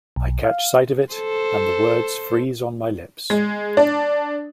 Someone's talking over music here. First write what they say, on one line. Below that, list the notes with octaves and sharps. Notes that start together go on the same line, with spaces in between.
I catch sight of it, and the words freeze on my lips.
B1
F5
A4 C5
G#3
D4